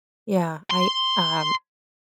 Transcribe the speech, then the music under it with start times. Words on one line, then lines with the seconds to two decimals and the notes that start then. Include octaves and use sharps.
Yeah, I, um
0.71 C6